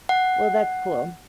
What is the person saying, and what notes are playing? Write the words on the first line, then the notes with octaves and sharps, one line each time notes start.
Well, that's cool.
F#5